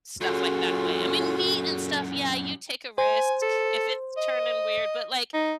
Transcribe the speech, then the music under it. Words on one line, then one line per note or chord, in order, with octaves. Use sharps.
stuff like that away I mean, meat and stuff, yeah, you take a risk if it's turning weird, but, like,
F#2 A#2 C#4 F4 F#4 G#4 A4
C5 G#5
A4
D#5
D#4